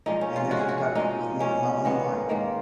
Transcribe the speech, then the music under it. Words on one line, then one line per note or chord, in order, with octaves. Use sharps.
and that's just got with me in my own life.
A#2 F3 G#3 D#4
C#4
F4
A#2 F3 G#3 F#4
G#4
F#4
A#2 F3 G#3 D#4
A#2 F3 G#3 C#4
G#2 D#3 A#3 B3
G#2 D#3 A#3